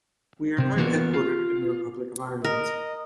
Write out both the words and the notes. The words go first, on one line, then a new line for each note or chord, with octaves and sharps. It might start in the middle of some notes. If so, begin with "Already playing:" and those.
We are now headquartered in the Republic of Ireland.
C3 C4
E3 A#3 B3 F4 F#4 A#4
F4
A#4 D#5